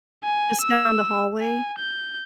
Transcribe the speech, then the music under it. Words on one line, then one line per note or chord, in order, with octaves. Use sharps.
just down the hallway.
G#5
E6
G#5
G6